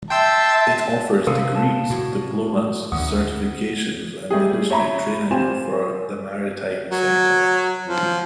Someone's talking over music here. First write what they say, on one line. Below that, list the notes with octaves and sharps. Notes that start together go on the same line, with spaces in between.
It offers degrees, diplomas, certifications and industry training for the maritime sector.
E5 G5 A5 C6 E6
C3 A4 A#4 F5
A5
A2 F#4
D2 F#5 D#6
G3 A3 G4 G#4
C#5 E5 A#5 B5
C4 F4 G4 G#5 E7
F#3
F3